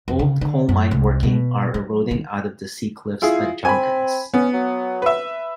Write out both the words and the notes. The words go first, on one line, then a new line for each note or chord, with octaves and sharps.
Old coal mine working are eroding out of the sea-cliffs at Joggins.
F2
C#3
D3
F#2
C2
B2
F#3
D#3
E4 F4 G#4
C4 G#5 B5
B3 C#4
F#3
B4 E5